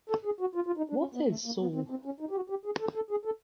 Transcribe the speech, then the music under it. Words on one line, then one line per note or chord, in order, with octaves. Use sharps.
What Is Soul?
A4
G#4
F#4
F4
F4
D#4
D4
C#4
B3
A3
A#3
B3
C4
C4
C#4
D#4
G4
F#4
G4
G#4
A4
A4
G#4
A4